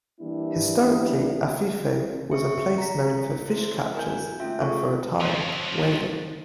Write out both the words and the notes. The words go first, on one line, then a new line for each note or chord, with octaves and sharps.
Historically, Afife was a place known for fish captures and, for a time, whaling.
E3 G3 A#3 D4 E4 G4
E5 C#6 C#7
A#5 B6
E4 C5
E4 A#4 G#5 G6
A3 C#4 F4 E5 G5
G#4 A4 C#6
F3 F#3